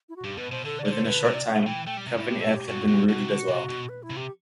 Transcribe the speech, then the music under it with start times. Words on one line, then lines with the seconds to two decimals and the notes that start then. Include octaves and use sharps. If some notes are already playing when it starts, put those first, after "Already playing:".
Within a short time, Company F had been routed as well.
0.09 E4
0.16 F#4
0.24 G2 G4
0.37 B2 B4
0.51 B2 C5
0.65 D3 A4
0.79 D5
0.85 D3
0.91 C5
1.05 D3 B4
1.25 C3
1.34 D5
1.46 E5
1.66 E3 G5
1.86 A3 G5
1.97 G3
2.07 C3
2.16 A2 E4
2.28 G4
2.41 A4
2.54 G4
2.67 G2 F#4
2.88 G2
3.08 B2 F#4
3.19 C3
3.29 D3
3.48 C3
3.69 B2
3.89 B4
4.03 E4
4.10 C3
4.17 G4